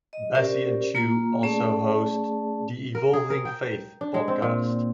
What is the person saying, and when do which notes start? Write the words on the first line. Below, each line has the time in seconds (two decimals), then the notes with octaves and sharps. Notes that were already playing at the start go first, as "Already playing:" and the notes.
Bessey and Chu also host "The Evolving Faith Podcast".
0.13 D#5
0.35 C#4 G4 A#4 C5 D5
0.95 A#3 F4 A#5
1.43 A3 C#4 G#4 D5 A5
2.95 A#4
3.13 G#4
3.30 A#4
3.45 G5
4.01 D4
4.14 G#3
4.28 C4
4.42 A#2